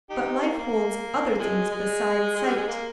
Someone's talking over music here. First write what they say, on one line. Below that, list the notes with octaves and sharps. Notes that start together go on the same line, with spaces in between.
But life holds other things beside sight.
D#4 G4
A#3
A#3
C3 F3 G#3
G#3
G#3
G3
G#3
A#3